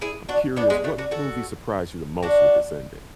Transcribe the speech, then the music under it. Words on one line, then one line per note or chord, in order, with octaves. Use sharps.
I'm curious, what movie surprised you the most with it's ending?
E4 G#4
D4 F#4
B3 D4
G#3 B3
F#3 A3
D4 F#4
F#4 A4
D4 F#4